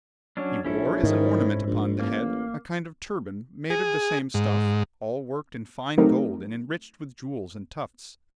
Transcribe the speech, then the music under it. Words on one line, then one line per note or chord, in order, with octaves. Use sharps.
He wore as an ornament upon the head, a kind of turban made of the same stuff, all worked in fine gold and enriched with jewels and tufts.
F#3 C#4 D4
A#1 C#4 E4 A4
G#2 D#3
A#1
A1 A#3
G#4
G#2
F#3 A3 C4 D#4 G4 A#4